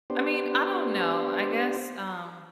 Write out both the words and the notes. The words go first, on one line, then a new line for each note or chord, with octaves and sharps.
I mean, I don't know, I guess, um,
B3 D4 G4 C5